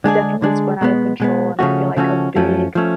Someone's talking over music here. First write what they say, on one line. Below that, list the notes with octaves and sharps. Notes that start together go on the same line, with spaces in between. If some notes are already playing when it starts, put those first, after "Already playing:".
definitely spun outta control and I feel like a big
D3 G#3 D4 G#4
D3 G#3 D4 G#4
B2 G#3 B3
B2 G#3 B3
C#3 F3 A3 C#4 F#4
C#3 F3 A3 C#4 F#4
F#2 F3 A3 C#4
F3 A3 C#4